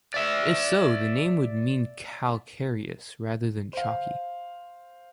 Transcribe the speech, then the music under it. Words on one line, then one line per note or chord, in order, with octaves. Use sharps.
If so, the name would mean 'calcareous' rather than 'chalky'.
D5 E5
C5 F5